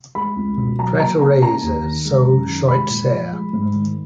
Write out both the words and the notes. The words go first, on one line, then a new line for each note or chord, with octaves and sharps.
Pretorese So 'schoit sair.
G#3 B5
C#2
B2
F#3 A#5
A#3 A#5
C#3 A#5
A#3 A#5
D#2
D#3
G#3
F#2
D#3
G#3 B5
A#2
F3
G#3
G#2
D#3